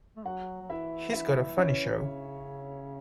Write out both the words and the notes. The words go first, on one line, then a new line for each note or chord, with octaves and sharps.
He's got a funny show.
A3
F#3 F#4 F#5
F#3
E3 E4 E5
E4 E5
C#4 C#5
C#3